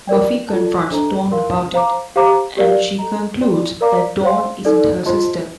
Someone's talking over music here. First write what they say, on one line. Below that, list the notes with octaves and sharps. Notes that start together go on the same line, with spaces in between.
Buffy confronts Dawn about it, and she concludes that Dawn isn't her sister.
A#4 D5 G5
F4 A4 D5 A5
D4 A4 C5 D#5 A#5
A#4 F5 C6
C5 F5 A#5 D6
G4 C5 F5 A#5 D6
G4 A#4 D5 F5
A4 D#5 A#5
G4 D5 G5 C6
A#4 D5 F5 A#5 D6
C5 F5 C6
D#4 A4 D5
F4 C5 D#5 A5 C6